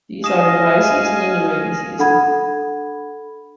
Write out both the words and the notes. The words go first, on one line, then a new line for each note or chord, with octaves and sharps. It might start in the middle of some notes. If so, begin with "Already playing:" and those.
These are the dry season and the rainy season.
D#5 F5 G#5 D#6 E7
D4 A4 F#5 B5 G#6